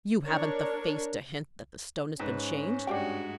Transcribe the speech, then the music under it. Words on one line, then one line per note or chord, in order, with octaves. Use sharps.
"You haven't the face to hint that the stone has been changed?"
D4 A#4 C#5
G#2 C#4 B4
G2 G#3 D4 F#4 G4 G5